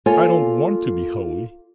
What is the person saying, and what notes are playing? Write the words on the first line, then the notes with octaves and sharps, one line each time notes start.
I don't want to be holy.
A#3 F4 A4 C#5 G#5